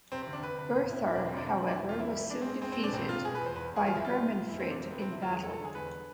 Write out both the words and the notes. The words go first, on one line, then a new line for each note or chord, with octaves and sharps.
Berthar, however, was soon defeated by Hermanfrid in battle.
C3 C4
C4
D2
D4
D2 B4
C3 B4
E1
E1 E4
E1 E4
D4
D3 C4
E2 D4
C4
B2
D4
E2 D4
E4
E2
F4
E3 E4
A1
G#3 D4
C4
G#3
G#3 C4
C4
B2
D4
C2 C4
C2 F4
B2 G#4
B4
E2
C5
E2 B4
E2 G#4
G#1 F4
E4
G#1 F4
G#2
G#2
F2 E4
C4
C3
D4
F3 C4
B3
C3
C4
D3 E4
F4
E2
G#4
G#3 A4
A4
D3
G#4
E2 B4